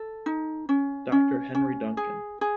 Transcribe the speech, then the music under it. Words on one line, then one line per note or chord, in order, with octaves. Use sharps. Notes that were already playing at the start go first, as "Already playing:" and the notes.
Doctor Henry Duncan.
Already playing: A4
D#4
C#4
C#4
C#4
G#4
G#4